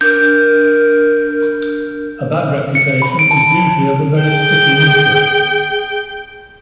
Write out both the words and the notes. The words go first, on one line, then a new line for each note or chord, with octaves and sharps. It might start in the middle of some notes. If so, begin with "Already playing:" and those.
A bad reputation is usually of a very sticky nature.
D4 A#4 G6
C#7
B5
D7
A5
G#4 G5